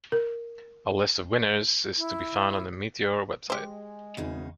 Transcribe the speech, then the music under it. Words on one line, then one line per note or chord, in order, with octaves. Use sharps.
A list of winners is to be found on the Meteor website.
A#4
E4
G#3 G4 C5
G#1 E2 C#3 D#4